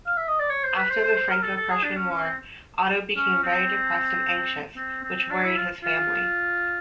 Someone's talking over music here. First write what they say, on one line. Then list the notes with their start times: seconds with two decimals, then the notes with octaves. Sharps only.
After the Franco-Prussian War, Otto became very depressed and anxious, which worried his family.
0.06 F5
0.17 E5
0.28 D#5
0.39 D5
0.50 C#5
0.63 C5
0.77 B4
0.90 C5
1.03 C5
1.16 C5
1.30 A#4
1.43 A4
1.57 A4
1.70 G#4
1.83 D4
1.97 C#4
2.10 C#4
2.23 C4
3.17 C#4
3.43 C4
4.76 C4
5.03 C4
5.30 D4
5.43 E4
5.56 F4
5.83 F4